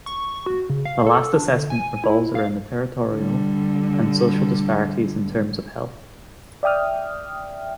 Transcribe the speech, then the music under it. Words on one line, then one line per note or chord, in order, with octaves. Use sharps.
The last assessment revolves around the territorial and social disparities in terms of health.
C#6
F#4
C#3
F5
A4
D4
D3
G#5
E4
F5
D3 G3
D5 E5 G5 D#6 F6